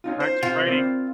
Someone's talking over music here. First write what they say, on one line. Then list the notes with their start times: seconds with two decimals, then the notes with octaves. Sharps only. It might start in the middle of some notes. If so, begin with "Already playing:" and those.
actually raining
0.04 C#4 D#4 F4
0.20 C5
0.43 C3 F4
0.67 C4 A#4 D5